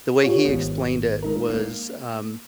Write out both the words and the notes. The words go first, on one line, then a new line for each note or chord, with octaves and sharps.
the way he explained it was, um,
F4 G4 C#5
G#1 B3
G#3 D#4 A#4
A#3